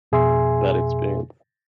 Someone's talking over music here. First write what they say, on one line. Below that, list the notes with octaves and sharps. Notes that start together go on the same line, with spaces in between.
that experience.
F2 B2 G#4 E5 G#5 C6